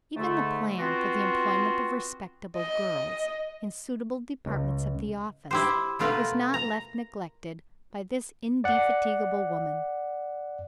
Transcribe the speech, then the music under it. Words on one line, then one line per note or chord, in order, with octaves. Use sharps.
Even the plan for the employment of respectable girls, in suitable departments of the office, was not left neglected by this indefatigable woman.
G#2 D3 A3
B3 C4 F4 F#4
D#5
C#2
E4 G4 C5
B2 A3 F4 A#4 B4
A#5
D5 F#5